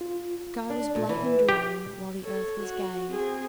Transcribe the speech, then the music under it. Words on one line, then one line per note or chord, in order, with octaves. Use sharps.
The sky was black and dreary, while the earth was gay.
F4
D4
A#2
E3
G4
A4 C#5
F#4
C4 G#4